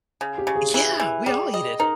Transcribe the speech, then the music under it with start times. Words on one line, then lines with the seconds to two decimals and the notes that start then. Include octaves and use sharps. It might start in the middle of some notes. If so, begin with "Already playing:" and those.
Yeah, we all eat it
0.21 C#3
0.38 G4
0.47 C#3
0.56 G#4
0.74 E3
1.00 E3
1.26 G3 G#4
1.54 D#5
1.80 D#4 A#4